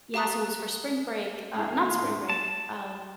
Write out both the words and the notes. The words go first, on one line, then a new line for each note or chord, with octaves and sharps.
Yeah, so it was for spring break uh, not spring break, uh,
G4 F5 A#5 D#6 F#6
G#3 A3 D4 E4 G#4 F5
D#2 G#5
C6
G3 D4 E4
A5